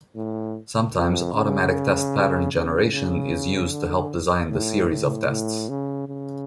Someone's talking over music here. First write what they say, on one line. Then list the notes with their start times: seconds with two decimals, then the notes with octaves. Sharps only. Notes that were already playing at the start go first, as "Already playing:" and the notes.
Sometimes automatic test pattern generation is used to help design the series of tests.
0.16 A2
0.96 F2
1.35 C#3
2.53 C#3
2.93 C#3
3.72 D3
4.51 A2
4.89 A2
5.30 A2
5.69 C#3
6.09 C#3